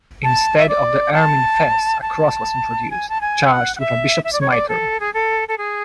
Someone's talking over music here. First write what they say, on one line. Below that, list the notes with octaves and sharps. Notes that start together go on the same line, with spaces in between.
Instead of the ermine fess a cross was introduced, charged with a bishop's mitre.
A5
E5
D5
A5
A5
G#5
A5
G#5
F#5
F#5
E5
E5
D5
C#5
D5
A4
G#4
A4
A4
G#4